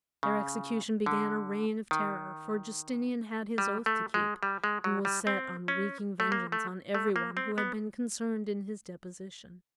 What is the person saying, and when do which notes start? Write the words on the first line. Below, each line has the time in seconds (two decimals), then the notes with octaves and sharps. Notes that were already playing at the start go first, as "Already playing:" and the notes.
Their execution began a reign of terror, for Justinian had his oath to keep, and was set on wreaking vengeance on every one who had been concerned in his deposition.
0.23 C#3
1.06 D3
1.91 D#3
3.58 G3
3.86 A3
4.14 G#3
4.43 G3
4.64 G#3
4.84 F#3
5.05 G3
5.27 C4
5.68 C#4
6.20 A3
6.32 A#3
6.52 A3
6.95 A3
7.16 A#3
7.37 C4
7.58 B3